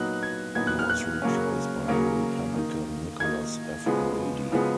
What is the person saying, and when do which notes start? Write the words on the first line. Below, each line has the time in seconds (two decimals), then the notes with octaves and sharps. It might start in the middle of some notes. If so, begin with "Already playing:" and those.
He was replaced by Republican Nicholas F. Brady.
Already playing: A#2 F#3 B3 D#4 F#6
0.23 G#6
0.55 A#2 F#3 B3 D#4 G#6
0.67 F#6
0.79 F6
0.90 F#6
1.22 C#3 F#3 A#3 C#4
1.88 C#3 F#3 A#3 C#4
2.54 D#3 A#3 D#4
3.20 D#3 A#3 D#4 G#6
3.86 C#3 F3 G#3 B3
4.52 C#3 F3 G#3 B3